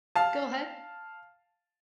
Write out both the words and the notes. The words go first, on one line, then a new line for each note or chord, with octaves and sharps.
Go ahead.
F5 A5